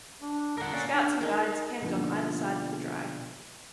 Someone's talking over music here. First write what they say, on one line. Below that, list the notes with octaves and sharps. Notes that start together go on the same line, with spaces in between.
Scouts and Guides camped on either side of the drive.
D4
D3 A#4 F#5
A#3 C#4 D5
D4
D#4 G#4 A#4
B2 D3 F3 A#3 D#4 F4